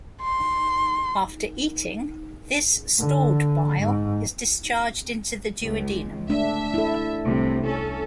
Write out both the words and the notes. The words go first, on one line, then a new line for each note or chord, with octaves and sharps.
After eating, this stored bile is discharged into the duodenum.
C6
D3
G#2
C#2
A3 D4 E5
E4 A4
C2 A2 C3
C#4 A4